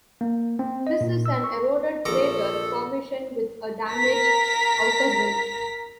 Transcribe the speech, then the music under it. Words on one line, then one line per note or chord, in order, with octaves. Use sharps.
This is an eroded crater formation with a damaged outer rim.
A#3
C4
D#5
A#2
E6
C#6
A#1 A4 A#5 D6
A#4 A#5 B6